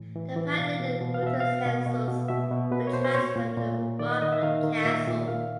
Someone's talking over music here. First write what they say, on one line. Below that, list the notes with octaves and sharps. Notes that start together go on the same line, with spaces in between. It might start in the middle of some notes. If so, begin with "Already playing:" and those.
The paneling and utensils were transferred to Marquette Castle.
Already playing: A2 E3
E3
E3
B2 F5
B2
B2
F5
B2 E5
B2 F5
B2
B2
B2
B2 E5
B2
B2 B4
C#5
B2 C5
C5
A#2 C#5
A#2
A#2
A#2
D#3 D5
D#5
D#3 D#5
E5
D#3 F5
D#3
A#2 E5
A#2
A#2 F5